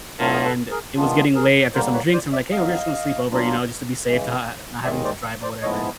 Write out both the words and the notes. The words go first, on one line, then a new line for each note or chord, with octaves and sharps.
and it was getting late after some drinks. I'm like, "Hey. We're just gonna sleep over, you know, just to be safe, to ha ha not having to drive or whatever,"
A2 F#3 A3 D4 F4 A#4
A4
G#4 A#4
A4 B4
G#4 A#4
D#3 G#3 B3 D4 F4
G#4 A#4
D3 G3 A#3 A#4 C5
B4 C#5
C5 D5
D5 E5
F2 D3 F#3 B3 D#5 F5
A#2 F#3 A#3 D4 F4
C#3 E3 G#3
D#2 D#3 G#3 D5 E5
C5 D5
C5 D5
G#2 F3 G#3 B3 E4 C#5 D#5